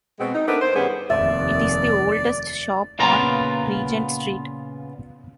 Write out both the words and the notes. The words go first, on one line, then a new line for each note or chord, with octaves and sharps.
It is the oldest shop on Regent Street.
B2 G#3 C4
D#4
A3 B3 C4 D4 A#4 B4
C5
G2 D#3 G3 B3 C#4 G#4
F1 D#2 D5 E5
A#2 C#3 B3 F4 A#5